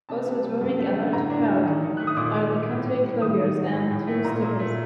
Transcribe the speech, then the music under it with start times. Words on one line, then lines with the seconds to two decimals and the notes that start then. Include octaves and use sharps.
Also drawing a large crowd are the country cloggers and two-steppers.
0.09 C3 A5
0.26 C3
0.43 G3
0.61 F#2
0.78 A3
0.96 D3
1.13 A2 A#5
1.30 D4
1.48 F#3
1.66 D#3
1.83 D#3
1.97 A3 F#6
2.07 D#6
2.16 A#2 D6
2.34 A#2
2.52 A3
2.69 A2
2.86 A2
3.03 G3
3.21 D#3 D#6
3.38 D#4
3.55 F#3
3.73 A2
3.91 A2
4.07 A3
4.25 A#2 A#5
4.42 A#2
4.59 A3